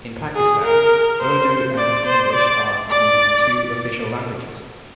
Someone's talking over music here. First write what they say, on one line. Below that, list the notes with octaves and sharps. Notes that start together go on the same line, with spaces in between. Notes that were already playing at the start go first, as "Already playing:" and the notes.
In Pakistan, Urdu and English are the two official languages.
G#4
A#4
C5
D5
C5
D5
D5